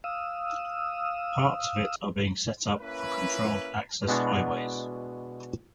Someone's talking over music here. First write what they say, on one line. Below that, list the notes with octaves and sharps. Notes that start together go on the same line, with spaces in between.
Parts of it are being set up for controlled-access highways.
F5 D#6 E6
A#3 C#4 E4 B4
B2 G#3 B3 D4 E4 F#4